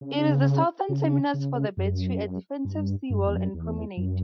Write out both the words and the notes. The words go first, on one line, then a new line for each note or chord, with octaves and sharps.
It is the southern terminus for the Battery, a defensive seawall and promenade.
C#3
C#3
C#3
F#2
G2
G2
F#2
E2
F#2
E2
F#2